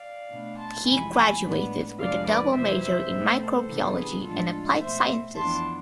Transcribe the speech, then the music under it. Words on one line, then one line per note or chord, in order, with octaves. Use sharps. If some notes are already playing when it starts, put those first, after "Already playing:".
He graduated with a double major in microbiology and applied sciences.
Already playing: D5 F5
B2 A3 D4
A5 C6
F2 C3 E3 G#3 G#5 B5
G#5 B5
A2 G#3 B3 D4
F2 C3 G#3 D4 D5 F5
B4 D5
F2 C3 E3 C5 E5
C5 E5
B2 A3 C4
A4 C5
C3 E3 B3 D4
G#4 B4
A2 F3 G#3 D4 F4 A4
F4
B2 A3 C4 C5 E5
F2 E3 B3 D4 A5 C6